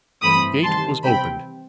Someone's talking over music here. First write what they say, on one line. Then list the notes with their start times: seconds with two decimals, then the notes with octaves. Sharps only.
The gate was opened.
0.22 G2 E3 A3 C4 B5 D#6
0.63 C3 D#3 G3 A5 C6
1.03 C3 E3 G3 C4 G5 B5